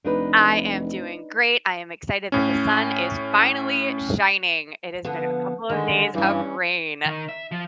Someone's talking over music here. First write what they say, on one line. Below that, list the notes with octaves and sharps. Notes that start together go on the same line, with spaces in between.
I am doing great. I am excited that the sun is finally shining. It has been a couple of days of rain.
F1 D4 D#4 B4
A2 C#4
D3 F3 B3
D3 D#3 G#3
G2 E3 G3 C#4
D#3
E5
F3